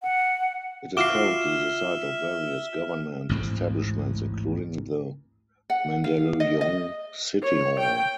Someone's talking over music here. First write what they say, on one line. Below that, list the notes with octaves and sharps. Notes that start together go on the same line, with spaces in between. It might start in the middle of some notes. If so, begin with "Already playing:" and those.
It is currently the site of various government establishments including the Mandaluyong City Hall.
F#5
F4 F#4 E5 D6 F6 C7 E7 G7
A1 D2 G#2 C4
F#5
F5
D#5
D#5
C#5
G5